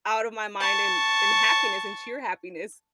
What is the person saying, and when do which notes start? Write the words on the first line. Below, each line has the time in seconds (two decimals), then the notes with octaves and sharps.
out of my mind, and and happiness, and sheer happiness.
0.60 A5 C#6